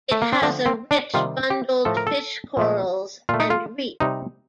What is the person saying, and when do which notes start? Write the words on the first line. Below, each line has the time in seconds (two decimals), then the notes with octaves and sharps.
It has a rich bundled fish corals and reef.
0.12 A3
0.22 A#3
0.33 C4
0.42 D3 F3 A3 D4
0.66 C4
0.91 D4
1.14 C3 D#3 G3 F4
1.50 G4
1.85 A2 F3 A3 A4
1.97 A#4
2.07 A4
2.57 A#2 F3 A3
3.29 A#2 A3 F4
3.40 D#4
3.50 F4
4.00 C3 G3 D#4